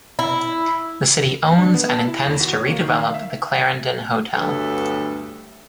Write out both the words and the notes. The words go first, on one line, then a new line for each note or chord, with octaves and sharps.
The city owns and intends to redevelop the Clarendon Hotel.
E4
D4
B3
A5
E4
D#2
F#4
C#5
A#3
D#3
F5
E5
D2 G2 F#3 A3 B3 A4